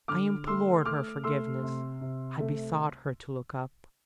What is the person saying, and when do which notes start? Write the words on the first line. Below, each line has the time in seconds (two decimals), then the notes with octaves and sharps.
I implored her forgiveness. I besought her to look up.
0.08 D3 D6 F6
0.47 A3 C6 E6
0.85 A3 D6 F6
1.24 A3 C6 E6
1.63 C3
2.01 C3
2.40 A3